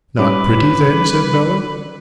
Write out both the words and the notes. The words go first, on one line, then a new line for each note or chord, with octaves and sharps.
'Not pretty then?' said Bella.
G3 C#4 B4 D6